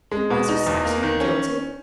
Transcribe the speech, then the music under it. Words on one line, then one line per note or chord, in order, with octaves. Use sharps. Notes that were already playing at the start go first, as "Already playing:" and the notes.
Can Basil Saxon be guilty?
G#3
B2
D#4
E2
A#3
D#3
C#4